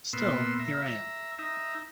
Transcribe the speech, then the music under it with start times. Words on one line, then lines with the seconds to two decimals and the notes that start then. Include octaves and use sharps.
Still, here I am.
0.13 A#2 B3 C6 E6
0.59 E5 A#5
1.39 D#4 E5 A#5